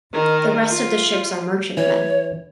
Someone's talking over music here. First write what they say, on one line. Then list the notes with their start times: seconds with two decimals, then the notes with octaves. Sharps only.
The rest of the ships are merchantmen.
0.13 D#3 A#4
0.68 F4
1.77 E3 C#5